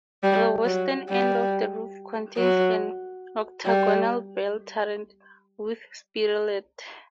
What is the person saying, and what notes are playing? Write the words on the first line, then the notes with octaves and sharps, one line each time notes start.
The western end of the roof contains an octagonal bell turret with spirelet.
G3
F#3
G3
F#3
G3